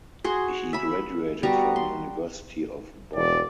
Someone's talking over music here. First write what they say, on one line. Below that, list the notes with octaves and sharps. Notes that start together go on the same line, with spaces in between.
He graduated from University of Bonn.
F#4 G#4 C6
E5 B5
G3 B3 F#4 A#5
C6
E1 D5